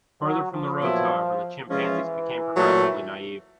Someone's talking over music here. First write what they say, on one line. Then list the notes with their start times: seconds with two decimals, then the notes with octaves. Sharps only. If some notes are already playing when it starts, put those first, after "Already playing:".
Further from the roads, however, the chimpanzees become progressively "naive".
0.22 F#3
0.51 F3
0.81 A#2 F#3 B3 E4
1.69 E3 F3 G#3 C#4 F4
2.57 A#2 F#3 A3